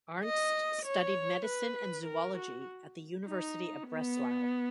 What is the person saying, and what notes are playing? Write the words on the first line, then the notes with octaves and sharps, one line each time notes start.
Arndst studied medicine and zoology at the University of Breslau.
D#5
C#5
B4
A#4
F#4
D#4
B3